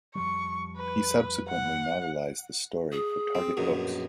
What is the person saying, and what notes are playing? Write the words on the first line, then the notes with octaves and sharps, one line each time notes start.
He subsequently novelised the story for Target Books.
F2 F3 G3 C#6
B4
F#5
G#4
C4
A#1 F#2 B2